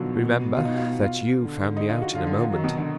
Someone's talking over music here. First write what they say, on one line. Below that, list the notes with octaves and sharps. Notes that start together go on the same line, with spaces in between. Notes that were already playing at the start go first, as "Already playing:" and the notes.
Remember, that you found me out in a moment.
Already playing: B2 D3 D#3 F3 F#3
F4
D#4
F4
F4
D3
D#4
F4
F#4
D3 F4
F4
F4
D#3 F#3
B2
D3